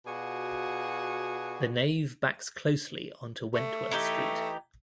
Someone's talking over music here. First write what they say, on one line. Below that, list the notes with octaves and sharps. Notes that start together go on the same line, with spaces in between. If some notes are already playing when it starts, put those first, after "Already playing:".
The nave backs closely onto Wentworth Street.
B2 F4 F#4 G#4 D5 F#5
A3
E3 D#4 G4